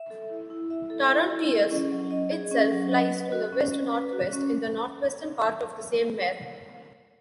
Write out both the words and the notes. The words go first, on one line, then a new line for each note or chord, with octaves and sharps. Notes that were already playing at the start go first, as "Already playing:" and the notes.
Taruntius itself lies to the west-northwest, in the northwestern part of the same mare.
Already playing: E5
A4
E4
E4
E5
A4
E4
E4
G#4
C#4
F#3
D#5
G#4
C#4
F#3
D#5
B4
F#4
C#4
C#4
B4
F#4
C#4